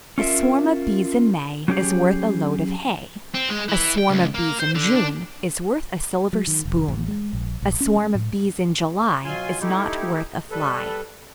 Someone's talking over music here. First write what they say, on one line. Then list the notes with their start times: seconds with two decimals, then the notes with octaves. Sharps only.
A swarm of bees in May Is worth a load of hay; A swarm of bees in June Is worth a silver spoon; A swarm of bees in July Is not worth a fly.
0.18 C#4 F4 A#4 E5
1.68 F#3 C#4 G4 G#4
3.34 C4
3.50 G#3
3.69 E3
3.98 G5
4.10 C#2
4.34 A#3
4.59 C5
4.75 D3
4.96 D4
6.33 F#3
6.47 D#3
6.65 F1
6.88 A1
7.08 G#3
7.33 A#1
7.62 A#1
7.80 C#4
7.96 G#3
8.15 A2
9.24 B2 F#3 F4 G#5 C6
9.61 A3 D#4 E4 G4
10.51 G3 A4 B4